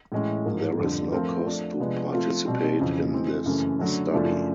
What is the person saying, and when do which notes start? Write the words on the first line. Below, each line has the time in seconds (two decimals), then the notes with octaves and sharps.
There is no cost to participate in this study.
0.12 A2 E3 G#3 C#4
0.46 G#2 F3 A#3
0.78 F2 D3 G3 C4
1.12 F3 A3 C4 F4 A#4
1.45 F3 A3 D4
1.79 C3 F3 G#3 B3 D4
2.13 F3 A3 C4 F4
2.46 B2 G3 C4
2.79 F2 C#3 E3
3.13 E3 G#3 C4
3.46 F#2 C#3 E3 A3
3.79 D3 F#3 A3 C#4
4.12 F#2 C#3 F3 A3 D4